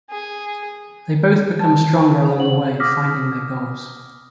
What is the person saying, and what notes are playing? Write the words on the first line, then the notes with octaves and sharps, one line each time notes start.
They both become stronger along the way, finding their goals.
G#4
A5
G#4 C5 F#5 F#7
D6 D#6 F6 A#6 B6